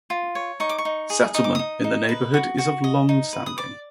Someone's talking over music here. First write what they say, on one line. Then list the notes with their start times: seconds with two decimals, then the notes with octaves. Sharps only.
Settlement in the neighborhood is of long standing.
0.10 F4
0.35 C#5
0.60 D#4 C#6
0.69 D6
0.78 C#6
0.85 D#4
1.10 G#4
1.34 D#4 D#6
1.44 D6
1.55 D#4 D#6
1.84 D#4
2.09 B4
2.34 F#4
2.58 F#4
2.84 D#5
3.09 D#4
3.33 B4
3.46 D#6
3.58 D5 D6